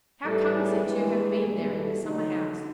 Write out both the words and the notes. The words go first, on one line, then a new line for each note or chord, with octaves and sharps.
How comes it to have been there in the summer-house?
A2 E3 G3 A4
G#4
G2 E3 G#3
G#4
E2 B2 G3
A4
F2 D3 F#3 D#4